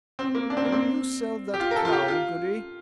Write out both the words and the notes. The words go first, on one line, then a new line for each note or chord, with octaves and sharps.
'Will you sell that cow, Goody?'
C4
A#3
D4
C4
A#3
C4
G4
F4
A#4
A4
F4
G4
F4